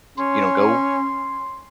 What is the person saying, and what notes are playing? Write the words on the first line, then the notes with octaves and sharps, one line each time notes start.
You know, go
C#4 C6